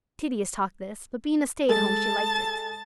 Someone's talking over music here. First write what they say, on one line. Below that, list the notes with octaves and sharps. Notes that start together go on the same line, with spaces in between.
Tedious talk this, but being a stay-at-home she liked it.
G#3 A4 A5 A6